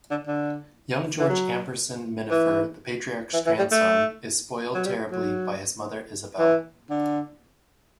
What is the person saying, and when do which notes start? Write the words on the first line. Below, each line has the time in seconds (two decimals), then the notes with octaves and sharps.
Young George Amberson Minafer, the patriarch's grandson, is spoiled terribly by his mother Isabel.
0.11 D3
0.27 D3
1.20 E3
1.29 F#3
2.31 E3
3.34 E3
3.46 E3
3.59 G3
3.71 A3
4.74 F#3
4.86 G3
5.12 F#3
6.39 E3
6.90 D3